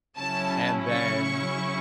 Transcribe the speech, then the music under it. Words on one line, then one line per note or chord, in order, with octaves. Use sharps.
and then
C#3 F#3 C#4 E4 A5
C#6